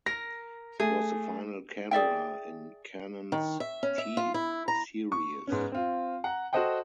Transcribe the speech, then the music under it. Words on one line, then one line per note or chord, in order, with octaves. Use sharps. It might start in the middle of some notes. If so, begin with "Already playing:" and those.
It was the final camera in Canon's T series.
A#4 A#6
A3 G#4
G#4 D5 E5 G5
D#3
E5
C#4
E5
F4
E4
A#5
C#6
G#2 B3 C#4
C4 F4
F#5 A#5
F#4 A4 C5 D#5 F#5 G5